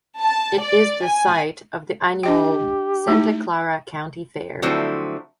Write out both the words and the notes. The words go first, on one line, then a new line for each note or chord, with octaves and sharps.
It is the site of the annual Santa Clara County Fair.
A5
D5
G#5
D4 G4 D#5 G5
A3 D#4 E4
D3 F3 F#3 A3 C4 E4